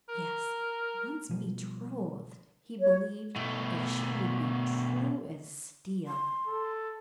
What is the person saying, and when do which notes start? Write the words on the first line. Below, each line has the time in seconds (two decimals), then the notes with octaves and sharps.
Yes, once betrothed, he believed that she would be true as steel.
0.09 A#4
1.29 B2 F3 G3
2.80 C#5
3.36 B2 A3
6.08 C6
6.47 A4